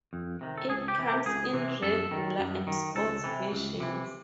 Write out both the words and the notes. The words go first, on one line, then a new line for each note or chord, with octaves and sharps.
It comes in Regular and Sports versions.
F2
C3 D#3
A4
C#2 G#4
G4
C3 E3
G4
C#2 G#4
C3 E3
F#2 A4
D#3
F#2
D#3
C#2 A4
C3 E3
C#2
C3 E3